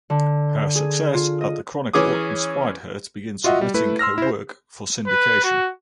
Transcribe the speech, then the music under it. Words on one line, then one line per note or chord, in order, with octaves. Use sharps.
Her success at the Chronicle inspired her to begin submitting her work for syndication.
D3
G#4
F4
D#5
E3 C#4 G#4 D6 D#6
F4 F#4 D#5 E5 F#5
G3
A3 E4 B4
C6 E6 F6 A#6
E4 C5
B4
F#4